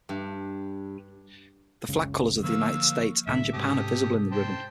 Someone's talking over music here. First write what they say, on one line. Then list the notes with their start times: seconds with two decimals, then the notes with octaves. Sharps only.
The flag colors of the United States and Japan are visible in the ribbon.
0.09 G2
1.89 F#1 C#2 C#3
2.44 D3 F3 A#3 F5 C#6 E6
3.27 C2 A2 D3 E5
3.53 G#2 C3 G4 A4 D#6
4.32 C5 G5 A5